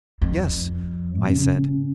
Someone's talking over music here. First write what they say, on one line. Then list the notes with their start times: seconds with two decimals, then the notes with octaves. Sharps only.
"Yes!" I said.
0.22 F2
1.25 C#3